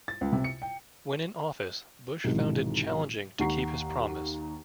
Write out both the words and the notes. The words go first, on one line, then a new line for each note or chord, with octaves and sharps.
When in office, Bush found it challenging to keep his promise.
A6
C#2
C3
C#7
G5
B1 G#2 C3 D#3 E3
D#2 F#5 A#5 C#6 C7